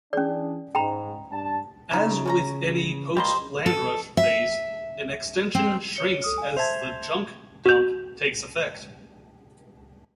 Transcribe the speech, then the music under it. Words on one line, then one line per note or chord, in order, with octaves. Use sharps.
As with any post-landrush phase, an extension shrinks as the "Junk Dump" takes effect.
E3 C#4 D4 G#4 D5
G#2 G5 A#5 B5
G2 D4 A5
C#3 D#4 E4
C#4 B4 A#5
G3 A#3 G4 C5 D#5 C6
A4
E5
C4
C#5 C#7 G7
A4 D#6 F6
F5 G#5
C5 E5 A5 G#6 F7
F#4 G6